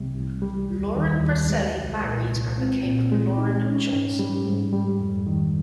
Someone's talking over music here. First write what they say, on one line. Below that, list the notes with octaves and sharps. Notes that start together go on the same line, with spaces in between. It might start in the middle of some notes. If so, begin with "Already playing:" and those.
Lauren Roselli married and became Lauren Johnson.
Already playing: C2 C3 G3
C2
G3
D#2
D#3
D#2
G#3
C2
A#2
C2
C4
A#2
G#3
D#4
C#4
G#2
G3
G#2
G3
F2
D#3